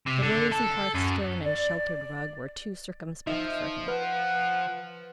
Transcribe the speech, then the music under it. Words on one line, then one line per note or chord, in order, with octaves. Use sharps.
The rosy hearthstone and sheltered rug were too circumspect for him.
C3
D3
A4
F#2
D5
D5
F3 D#4 D#5 E5
B4 F#5 F6